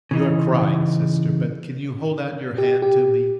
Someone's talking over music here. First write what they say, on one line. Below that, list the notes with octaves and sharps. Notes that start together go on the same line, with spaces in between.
"You are crying, sister, but can you hold out your hand to me?"
C#3 E3 D#4
G4
G4